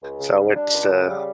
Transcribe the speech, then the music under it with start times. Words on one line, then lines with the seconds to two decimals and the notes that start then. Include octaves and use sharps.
So it's uh,
0.02 C#2
0.20 C#3
0.37 G3
0.56 D4
0.74 C#2
0.91 C#3
1.08 G3